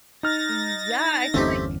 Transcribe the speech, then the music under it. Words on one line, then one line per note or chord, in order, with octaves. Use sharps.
Mm, yeah, I feel like
D#4 F6 A6 A#6
G1 E2 A3 C4 C#4 G4